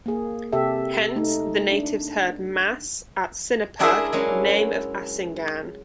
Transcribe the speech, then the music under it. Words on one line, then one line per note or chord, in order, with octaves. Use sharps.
Hence, the natives heard Mass at Sinapug, name of Asingan.
A#3 G#4
C3 G4 A4 E5
A3 D#4
D4
G#3 D4 E4 G#4 A#4 E5
F#3 G#3 C#4